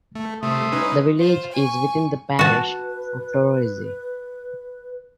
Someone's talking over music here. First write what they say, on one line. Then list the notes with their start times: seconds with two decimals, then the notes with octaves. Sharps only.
The village is within the parish of Torosay.
0.15 A3
0.43 C3 A3 E5 C6 D#6
0.72 C#4 D#4 B4
1.18 F4 C5
1.52 G#5 C#6
2.39 F#4 B4 A5